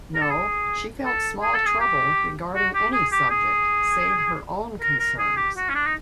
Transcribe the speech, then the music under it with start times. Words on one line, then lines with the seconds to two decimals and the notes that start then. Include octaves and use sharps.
No, she felt small trouble regarding any subject, save her own concerns.
0.15 A#4
0.22 A4
0.30 G#4
1.05 A4
1.42 G#4
1.54 A4
1.66 G#4
1.80 G4
2.55 F#4
2.74 G4
2.93 G#4
3.12 G4
3.30 G#4
4.81 A#4
4.99 A#4
5.19 G#4
5.37 G4
5.56 F#4
5.69 C#4
5.75 D4
5.86 D#4